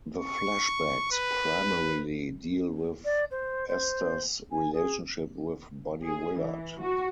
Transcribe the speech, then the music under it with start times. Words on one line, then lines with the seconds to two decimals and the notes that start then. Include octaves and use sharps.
The flashbacks primarily deal with Esther's relationship with Buddy Willard.
0.17 C#6
1.12 B4
3.04 D5
3.31 C5
3.68 C5
4.51 G#5
4.73 G#4
6.05 G#4
6.39 E3
6.80 F#4